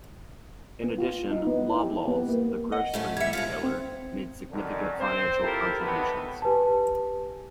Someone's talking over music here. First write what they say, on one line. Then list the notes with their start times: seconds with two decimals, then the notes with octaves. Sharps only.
In addition, Loblaws, the grocery retailer, made significant financial contributions.
0.84 B3
0.98 F4
1.31 D#4
1.47 B3
1.70 E4
1.83 G4
2.08 B3
2.28 A#3
2.72 D#5 F#5
2.94 F2 A3 C#4
3.17 G3 E5 G#6 C#7
3.33 B2 G#3 F4
3.63 C4
4.52 F#2 D3 D#3
4.99 C4 C5
5.41 C4 E4 F4 G4 A4 A#4
5.81 C3 D#3 F#3 A3 B3
6.42 G4 B4 G#5 A5